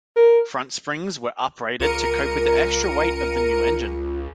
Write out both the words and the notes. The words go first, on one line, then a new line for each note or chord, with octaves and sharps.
Front springs were uprated to cope with the extra weight of the new engine.
A#4
C#2 F4 A#4 C#7 D#7